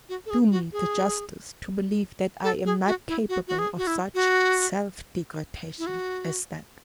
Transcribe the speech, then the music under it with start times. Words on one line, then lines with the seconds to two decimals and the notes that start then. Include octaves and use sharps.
Do me the justice to believe that I am not capable of such self-degradation as that.
0.09 F#4
0.26 A4
0.30 G#4
0.51 F#4
0.72 G#4
2.44 A4
2.66 G#4
2.87 F#4
3.08 E4
3.29 F#4
3.48 F#4
3.59 G#4
3.78 F#4
3.87 E4
4.15 F#4
5.79 E4
5.87 F#4